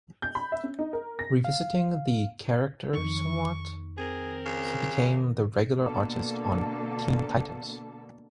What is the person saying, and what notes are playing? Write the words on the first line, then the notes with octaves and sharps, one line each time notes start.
Revisiting the character somewhat, he became the regular artist on "Teen Titans".
G6
B5
E5
C#4
D#4
A#4
A#6
F5
F2 D#3 C#6
C4 G#4 A#4
C#3
B2 D3 A#3 A4